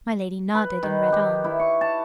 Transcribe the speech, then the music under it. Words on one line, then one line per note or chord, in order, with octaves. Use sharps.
My Lady nodded, and read on.
B4
D#3
G4
E4
C#6
A5